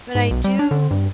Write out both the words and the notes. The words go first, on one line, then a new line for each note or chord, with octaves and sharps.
but I do
G#2
B1
G3
D4
D3
G2